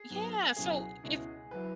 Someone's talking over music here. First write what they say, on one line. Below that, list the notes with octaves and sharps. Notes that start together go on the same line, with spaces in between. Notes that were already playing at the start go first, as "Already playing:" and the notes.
Yeah. So if
Already playing: G#4
G#2 F#3 B3
C#2 B2 F#3 C#4 E4 G#4
C#2 B2 G#3 C#4 E4
F#3 E4 B4